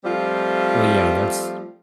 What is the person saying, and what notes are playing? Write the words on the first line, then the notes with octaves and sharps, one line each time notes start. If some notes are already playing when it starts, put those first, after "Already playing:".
Well, yeah, that's
F3 G3 A3 C4 F4